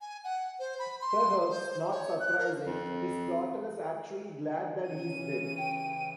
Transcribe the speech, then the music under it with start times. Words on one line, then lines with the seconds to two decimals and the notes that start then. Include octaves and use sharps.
Perhaps not surprising, his daughter is actually glad that he is dead.
0.01 G#5
0.24 F#5
0.60 C5
0.79 B5
1.01 C6
1.50 C5
1.92 C#5
2.20 F#6
2.38 A#4
2.66 F2
4.88 C#3 E3 C#4 D#7
5.57 G5